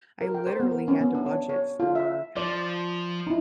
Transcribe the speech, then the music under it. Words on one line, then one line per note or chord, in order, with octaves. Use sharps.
I literally had to budget for,
A#4
G5
C5
B3
A#4
C#4
B3
D4
C#5
C#5
F4
E5
F3 D5
D#4 E4